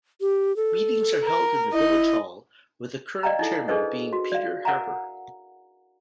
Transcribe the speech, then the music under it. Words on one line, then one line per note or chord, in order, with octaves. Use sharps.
Meetings are held in the village hall, with the current chairman being Peter Harper.
G4
A4
A#4
E4 D#5
D5 D#5 F5 G5 A#5
D#4 E4 A4
D4 G#4 A4 B4 C5 D#5
F#4
D5 F5
A#4 F#5 G#5 A#5